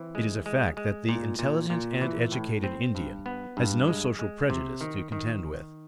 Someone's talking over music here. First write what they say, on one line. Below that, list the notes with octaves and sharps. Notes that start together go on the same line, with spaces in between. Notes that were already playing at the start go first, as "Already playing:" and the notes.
It is a fact that the intelligent and educated Indian has no social prejudice to contend with.
Already playing: E3 C4
G#3
G#3
G#3
A#2
A#2
A#2
E3
A2
C4
G2
B3
G2
G#3
G#3
C3
D#3
D#3